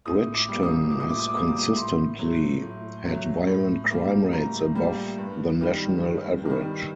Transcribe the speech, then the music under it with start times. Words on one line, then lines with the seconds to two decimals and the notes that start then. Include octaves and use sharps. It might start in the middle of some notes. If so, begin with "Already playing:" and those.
Bridgeton has consistently had violent crime rates above the national average.
0.05 A2 D#6
0.34 D6
0.49 G3 A#3
0.63 D#6
0.91 A2 D6
1.00 D#6
1.10 D6
1.19 D#6
1.28 D6
1.34 G3 A#3 D#6
1.47 D6
1.76 A2 C6
2.19 F#3 A3
2.62 A2
3.05 F#3 A3
3.47 A2
3.90 G3 A#3
4.32 A2 A#5
4.75 G3 A#3
5.18 G2
5.61 D#3 G3
6.03 G2
6.45 D#3 G3